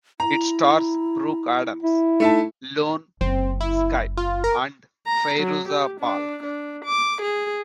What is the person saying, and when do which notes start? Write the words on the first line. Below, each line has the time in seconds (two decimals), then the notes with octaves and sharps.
It stars Brooke Adams, Ione Skye, and Fairuza Balk.
0.20 E4 A#5
1.82 E4
2.20 A3 D#4 E5 A5
3.21 F#1 C4
3.61 E4
4.17 F4
4.44 A#4
5.06 A#5
5.40 F#3
5.68 G4
6.00 D4
6.43 D4
6.85 D6
7.22 G#4